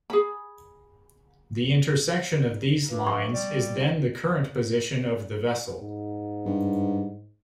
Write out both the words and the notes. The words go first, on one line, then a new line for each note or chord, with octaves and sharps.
The intersection of these lines is then the current position of the vessel.
G#4 B5
G2
C#6
G3
G#2
G2